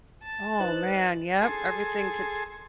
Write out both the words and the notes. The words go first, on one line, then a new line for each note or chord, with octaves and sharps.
Oh man, yep, everything gets
A5
D#4 B4 C5 F#6
G#4 A4 G#5 C6